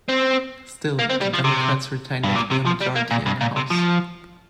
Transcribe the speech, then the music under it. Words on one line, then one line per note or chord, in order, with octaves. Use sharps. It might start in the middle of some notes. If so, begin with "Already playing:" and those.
Still, the Democrats retained a clear majority in the House.
C4
A#3
C4
G3
F3
C3
G2
A#2
C3
F3
G3
A#3
A#2
G2
A#2
C3
F3